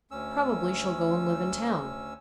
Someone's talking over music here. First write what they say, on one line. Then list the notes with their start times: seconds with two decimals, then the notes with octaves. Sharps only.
Probably she'll go and live in town.
0.11 D2 C#4 E6